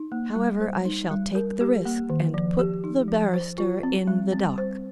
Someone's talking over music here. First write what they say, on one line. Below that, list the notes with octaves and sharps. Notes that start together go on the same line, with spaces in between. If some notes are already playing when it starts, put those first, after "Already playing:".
However, I shall take the risk, and put the barrister in the dock.
Already playing: D#4
A#3
G3
C5
D#4
G3
A#4
G4
A#3
D#3
F3
G4
D#4
F3
C5
F4
C4
G3
C4
C5